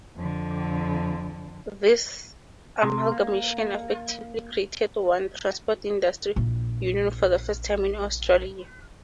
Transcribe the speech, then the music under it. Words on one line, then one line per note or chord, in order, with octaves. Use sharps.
This amalgamation effectively created one transport industry union for the first time in Australia.
F2 D3
C3
A#3
A#1 E4